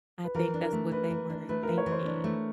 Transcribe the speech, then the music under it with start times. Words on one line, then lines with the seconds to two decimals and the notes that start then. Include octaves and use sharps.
I think that's what they were thinking.
0.24 B4
0.35 E3 A#4
0.54 D4
0.64 A#4
0.73 A3
0.91 E3 B4
1.10 E3
1.30 D4
1.49 A3 B4
1.63 E3 A#4
1.78 C#5
1.86 E3
1.92 C5
2.06 D4
2.24 A3